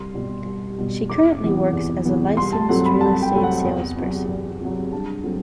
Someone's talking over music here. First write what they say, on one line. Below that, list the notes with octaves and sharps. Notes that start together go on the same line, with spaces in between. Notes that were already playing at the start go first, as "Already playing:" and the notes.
She currently works as a licensed real estate salesperson.
Already playing: C2 C6
B2 G3
C2
B2 G3
E2 D6
C3 E3 B3
E2
C3 E3 B3
C2 C6
A5
C3 F#3 A3 C4 F#5
B5
C2 A5
G5
C3 F#3 A3 C4
F#5
E2
C3 F#3
E2
C3 F#3
G2 A5
F#3 A3 C4